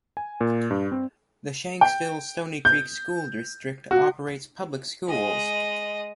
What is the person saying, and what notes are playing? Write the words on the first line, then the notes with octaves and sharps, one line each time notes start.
The Shanksville-Stonycreek School District operates public schools.
G#5
A#2
G2
C4
G5
G6
F#4
G#3 D#5